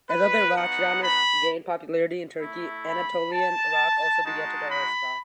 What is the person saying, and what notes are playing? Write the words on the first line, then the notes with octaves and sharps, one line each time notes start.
As other rock genres gained popularity in Turkey, Anatolian rock also began to diversify.
B4
B3 D#4 F#4 F#5
B5
A3 E4
B5
A5
G#3 D#4 F#4 A5
B5